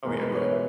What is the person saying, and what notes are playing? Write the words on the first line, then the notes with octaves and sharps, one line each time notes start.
oh, yeah, go ahead.
E2 B2 G#3 B3 A#4
B4
C#5
E5